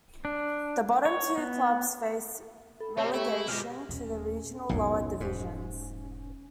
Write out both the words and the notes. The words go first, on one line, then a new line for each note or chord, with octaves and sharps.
The bottom two clubs face relegation to the regional lower divisions.
D4
C#5
B3
A4 B5
B2 B3 C4 G4 B4 C#5
A3 E4 G4 G#4 E5 G5 C#6
B2 G#3 F4 G4 F6 A#6
D#1 D#2 C#4
B1 F2 A2 C3
E1 G#2